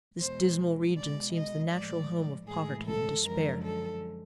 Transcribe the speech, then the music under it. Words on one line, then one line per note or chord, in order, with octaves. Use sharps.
This dismal region seems the natural home of poverty and despair.
E2 B2 G#3 C5
B2 G#3 D5
D#5
A2 F3 G#3 D5
A2 E3 G#3 G#4
A4
F#2 D3 F3 G#3 A#4
A4